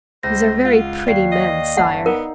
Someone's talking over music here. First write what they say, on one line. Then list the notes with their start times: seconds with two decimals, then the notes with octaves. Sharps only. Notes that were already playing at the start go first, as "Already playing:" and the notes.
These are very pretty men, Sire.
0.23 C#2 C5 A#6
0.65 F4 F#5
1.07 D#2 D5 F5 C7
1.32 D#5
1.77 G1 F#5 A5
2.06 B3 D#4 A#4